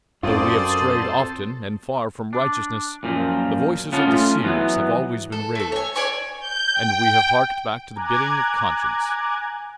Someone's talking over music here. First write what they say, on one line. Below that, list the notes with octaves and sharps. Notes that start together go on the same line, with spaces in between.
Though we have strayed often and far from righteousness, the voices of the seers have always been raised, and we have harked back to the bidding of conscience.
F#2 C4 F4 A4 C5 D5 D#6
D4
F#2 A#2 F3
B3 C#4 F4 A5
A3 C#4 F4
E3 F#3 B3
A4
A3 A4
C#5 G#5
C#5 D5 G#5 C#6
G6
G5
G#5 A#5 D6 F#6 G#6